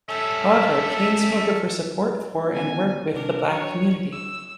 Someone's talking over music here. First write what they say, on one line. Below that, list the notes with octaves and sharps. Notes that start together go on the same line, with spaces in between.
However, Caine spoke of her support for and work with the black community.
G3 C#4 A4 E5
D3 B3 C#4 G#5
C3 D4 A#4
F#3 C#5
E6